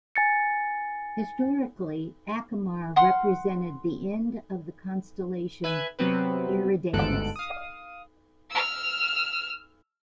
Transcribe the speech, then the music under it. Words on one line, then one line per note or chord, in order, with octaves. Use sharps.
Historically, Acamar represented the end of the constellation Eridanus.
G#5 A6 C#7
F#5 C6 F6
B4 E5 G#5 F#6 G#6
C3 F#3 B3 C4 B4
G1 D2 G#2 A4 F#6 D7
F5 D#6
E6 F6